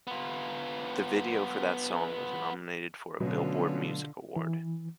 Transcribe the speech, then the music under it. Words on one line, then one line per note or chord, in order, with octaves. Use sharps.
The video for that song was nominated for a Billboard Music Award.
B3 F4
B2 D3 F#3 A3 B3 C#4 F4
E3